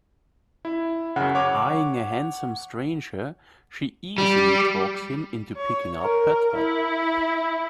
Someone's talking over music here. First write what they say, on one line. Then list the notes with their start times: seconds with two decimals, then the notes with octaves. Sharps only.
Eyeing a handsome stranger, she easily talks him into picking up her tab.
0.65 E4
1.16 F#2 C#3 F#5
1.35 C#5 D6
4.18 G3
5.56 C#5
6.00 A#4
6.55 E4